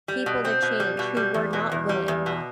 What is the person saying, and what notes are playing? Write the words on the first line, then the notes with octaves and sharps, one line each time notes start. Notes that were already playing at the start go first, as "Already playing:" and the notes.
people to change who were not willing
G3
B2
C4
B2
G3
B2
G3
E2
B2
E2
G3
E2
B2